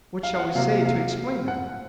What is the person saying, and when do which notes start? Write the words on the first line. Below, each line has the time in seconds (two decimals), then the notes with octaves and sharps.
"What shall we say to explain them?"
0.23 F5
0.35 F5
0.39 F#5
0.55 C3 F#3 A#3 F5
0.85 F5
1.48 F#5